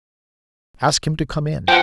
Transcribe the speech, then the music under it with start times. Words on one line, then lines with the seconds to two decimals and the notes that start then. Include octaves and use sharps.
Ask him to come in.'
1.68 F3 F#5 G5